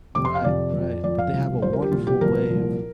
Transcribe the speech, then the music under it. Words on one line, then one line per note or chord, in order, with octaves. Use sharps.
Right, right. But they have a wonderful way of
F2 C3 F3 D6
C6
F5
F2 C3 F3 D5
F2 F3
F2 F3 D5
F5
C2 C3 F3
C2 C3 F3 C5
A#4
G4
C2 A#2 F3 F4
G4
C2 A#2 F3 A#4
C2 A#2 F3